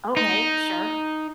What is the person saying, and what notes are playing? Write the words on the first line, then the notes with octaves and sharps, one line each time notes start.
Okay, sure.
D#4